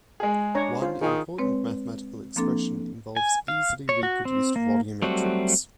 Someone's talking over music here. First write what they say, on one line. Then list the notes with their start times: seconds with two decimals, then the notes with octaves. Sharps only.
One important mathematical expression involves easily reproduced volumetrics.
0.20 G#3 G#4
0.55 D4 C#5 A#5
0.82 F4 C5
1.02 D#3 F4 G#4
1.38 G#3 C4 B4 C#5
2.36 F3 A#3 C4 D4 A4
3.16 G#5
3.48 F5
3.89 C#5
4.03 F#4
4.25 C4
4.56 A#3
5.02 F#3 G3 A3 C4 F#4